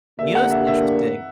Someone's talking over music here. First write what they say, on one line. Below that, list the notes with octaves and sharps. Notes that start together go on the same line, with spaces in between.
You know what's interesting?
D3 A#3 D4 G4 A#4 E5
F#5
E5
E5